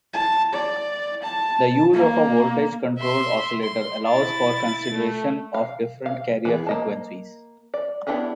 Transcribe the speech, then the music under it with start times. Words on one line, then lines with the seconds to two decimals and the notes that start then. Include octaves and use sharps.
The use of a voltage-controlled oscillator allows for consideration of different carrier frequencies.
0.13 A5
0.53 D5
1.22 A5
1.94 A#3
2.99 E5 C6
3.62 C6
4.05 E4 A6
4.93 A3
5.54 F5
6.06 F5
6.45 E3 B3 G#4
6.67 A#3 D#5 A5
7.74 D5
8.07 B3 D4 E4 G4 G#4